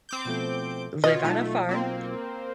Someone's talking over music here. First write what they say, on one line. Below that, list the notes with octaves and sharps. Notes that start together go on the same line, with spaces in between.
live on a farm,
C4 D6 G6
B2 F3 A3
B2 F4 C#5 D#5
B1 A3 D#4 F4
A#3 C4